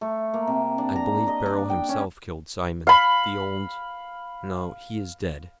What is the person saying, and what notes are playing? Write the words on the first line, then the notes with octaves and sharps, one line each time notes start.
I believe Beryl himself killed Simon--the old--no, he is dead.
A3
A#3
C3
D4
A#5
D#5
D4
G5
C#4
F5 B5